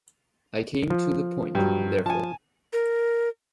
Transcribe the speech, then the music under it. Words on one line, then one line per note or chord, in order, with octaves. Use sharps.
I came to the point, therefore.
F3
G2 F#3
F3 G#5 A5
A#4